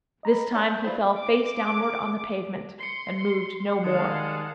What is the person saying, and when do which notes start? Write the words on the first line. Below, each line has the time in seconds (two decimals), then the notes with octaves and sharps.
This time he fell face downward on the pavement, and moved no more.
0.23 D#5 A#5 B5
0.55 C#4 A4 D5
0.69 G6
0.84 A#3 C4 E4 F4 B4 D5
1.16 D6
2.81 C6 C7 C#7
3.84 D#3 G3 G#3 F5 F#5 A5 D#6